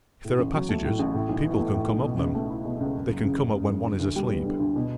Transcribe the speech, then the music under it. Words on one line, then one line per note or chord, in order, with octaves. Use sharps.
If there are passages, people can come up them; they can come up when one is asleep.
A2
A1
F#3
A3
A2
A1
A2
B1
E3
A3
A2
B1
B2
C#2
A3
E4
B2
C#2
F#2
F#1
C#3
F#1
F#2
F#1
D3
D2
G3
B3
D3
D2
B2